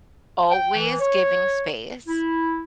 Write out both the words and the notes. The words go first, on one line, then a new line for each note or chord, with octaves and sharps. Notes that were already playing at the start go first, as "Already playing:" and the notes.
always giving space.
G5
E3
C#5
E4